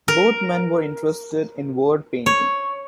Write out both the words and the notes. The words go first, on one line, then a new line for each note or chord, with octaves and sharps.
Both men were interested in word painting.
A#4
C#5